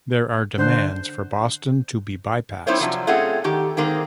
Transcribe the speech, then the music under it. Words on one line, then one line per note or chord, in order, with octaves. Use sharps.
There are demands for Boston to be bypassed.
D3 C5 F#6
G3 C4 D#4 E4 C5 C#5
C3 F3 F#3
A3 C4 C#4 F4 G#4 F#5
D#3 G4
D#3 G#3 A#3 C4